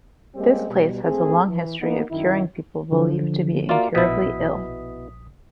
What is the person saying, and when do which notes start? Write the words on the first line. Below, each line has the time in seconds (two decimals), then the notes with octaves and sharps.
This place has a long history of curing people believed to be incurably ill.
0.35 G3 G#3 A#3 C4 C#4 G4
0.69 B2 G3
1.04 A#1 A3 C4 G#4
1.47 E3
1.80 A#3 B3 D#4
2.11 F#2 D#3 E4
2.92 D3 F3
3.69 A#3 F4 F#4 D5 E5
3.95 A#1 B2 E4 D#6 B6